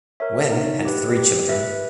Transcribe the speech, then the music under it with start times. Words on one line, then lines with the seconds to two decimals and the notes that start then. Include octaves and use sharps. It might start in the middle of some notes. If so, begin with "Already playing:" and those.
Wen had three children.
0.20 A#4 C#5 E5
0.52 D#4
0.85 G4 B4
1.17 G4
1.49 B4 E5